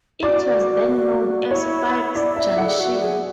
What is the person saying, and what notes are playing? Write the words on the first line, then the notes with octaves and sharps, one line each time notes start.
It was then known as Pike's Junction.
F#4 D5
E4 C#5
E4 D5
E5
A4 F#5
G#4
F#4
G#4